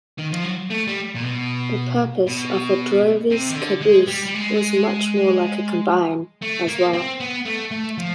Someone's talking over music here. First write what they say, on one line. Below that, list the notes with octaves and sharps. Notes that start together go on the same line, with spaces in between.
The purpose of a drover's caboose was much more like a combine, as well.
D#3
F3
F#3
A3
G3
A#2
B2
B2
C3
D#3
D3
G#3
G3
G3
G#3
A3
A#3
C4
B3
A3
A3
F3